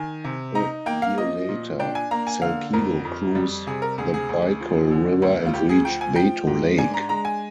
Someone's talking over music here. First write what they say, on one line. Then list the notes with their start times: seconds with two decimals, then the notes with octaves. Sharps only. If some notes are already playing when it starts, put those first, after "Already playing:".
A year later, Salcedo cruised the Bicol River and reached Bato Lake.
Already playing: D#3 G#5
0.24 C3
0.55 D#4 A#5
0.86 A#3 G5
1.02 F5
1.18 F3 D#5
1.49 A#2
1.80 D4 G5
1.95 G#5
2.11 A#3 A#5
2.27 G#5
2.42 D3 F5
2.73 F2 A#4
3.05 F2
3.35 G3
3.67 C3 G#4
3.82 A#4
3.98 D2 G#4
4.14 G#4
4.29 D2
4.60 F3
4.91 D3
5.22 D2
5.46 F4
5.53 D2 G4
5.69 G#4
5.85 F3 G5
6.01 G#5
6.16 F3 G5
6.47 G#2
6.78 D4 G#5
6.94 A#5
7.09 G#3 A#5
7.25 G#5